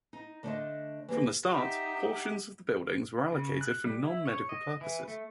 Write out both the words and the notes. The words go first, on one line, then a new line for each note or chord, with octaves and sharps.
From the start, portions of the buildings were allocated for non-medical purposes.
D#4
D3 A3 B3 D4 C5 D#5
E3 A#3 G4
D#4 G4 E5 F#5
C#3
F#6
G3
E4
C#5
D#5
E3
A3